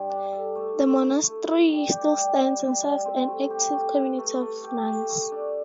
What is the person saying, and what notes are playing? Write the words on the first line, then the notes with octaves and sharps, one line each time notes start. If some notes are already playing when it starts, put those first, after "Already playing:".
The monastery still stands and serves an active community of nuns.
Already playing: G2 G3
D4
A4
A3
A3
E4
A3
E4
G3
G4
G3
G3
G3
G3
C4
A3
G4
A3
B4
A3
A3
G4
A3
A3
D4